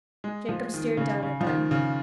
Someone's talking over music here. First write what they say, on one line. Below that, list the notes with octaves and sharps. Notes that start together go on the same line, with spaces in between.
Jacob stared down at them.
G#3
F3
D#3
C#3
C#3
F3
D#3
C#3